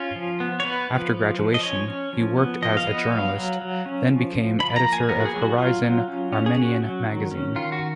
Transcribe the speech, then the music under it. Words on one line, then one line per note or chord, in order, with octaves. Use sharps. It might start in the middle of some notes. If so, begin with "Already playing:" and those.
After graduation, he worked as a journalist, then became editor of Horizon Armenian magazine.
Already playing: C#4 F4
F3
B3
C#5
B3 B4
F3
F3
F3
D#5
C#4 C#5
C#4
F3
B3
F3 D#5
F5
B3 D#5
F#3 F5
F#3
F#3
C#4
F3
F3
F3 B5
A#5
A#3
G#5
B3 A#4
F#4
G#4
F#3
F#4
F#3 F4
F#3
C#4
C#4
G#4
C#4 F#4
F#3
D#3
C#4
D#3 F4
F#4